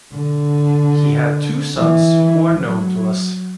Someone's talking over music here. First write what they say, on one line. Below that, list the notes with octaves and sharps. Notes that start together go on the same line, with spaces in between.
He had two sons who are known to us.
D3
E3
F#3